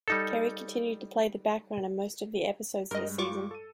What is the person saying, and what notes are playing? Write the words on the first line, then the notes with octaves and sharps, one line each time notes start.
Kerry continued to play the background in most of the episodes this season.
G3 D#4 A4
G2 G3 G#3 A#4 D#5
F4 C#6 D6
A4 D#7